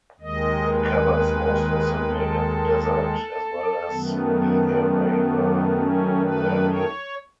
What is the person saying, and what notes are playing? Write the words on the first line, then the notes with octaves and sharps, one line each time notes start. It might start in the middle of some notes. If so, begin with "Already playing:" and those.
It covers most of the Negev desert, as well as the Arava valley.
D#2 D#3 G#3 D#5
B4
A4
F#2 D#3 A3 B3
C#4
B4
C#5